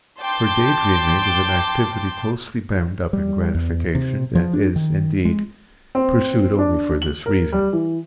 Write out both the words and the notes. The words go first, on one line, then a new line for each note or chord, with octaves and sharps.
For day dreaming is an activity closely bound up in gratification and is, indeed, pursued only for this reason.
G5 A5 C6 D6 G6
G3
E2
C3
F3
D4
D#3
G#3
C4
D4
F#7
A#4
G3
E3